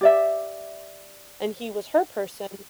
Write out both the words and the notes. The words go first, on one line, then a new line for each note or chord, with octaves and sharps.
and he was her person.
G4 D5 E5